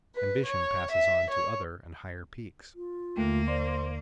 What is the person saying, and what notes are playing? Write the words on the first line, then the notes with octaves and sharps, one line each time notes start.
Ambition passes on to other and higher peaks.
B4
C#5
E5
C#5
F4
D#2 D3 A3 A#3
C5 D5 C6